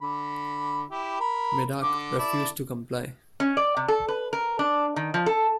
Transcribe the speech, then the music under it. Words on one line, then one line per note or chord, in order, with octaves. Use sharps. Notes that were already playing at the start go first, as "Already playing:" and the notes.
Medak refused to comply.
D3 B5
E4 G4
A#4 B5
D3 D6
E4 A4 D5
C#4
D5
C3
A4
B4
A#4
D4
D#3
F3
A4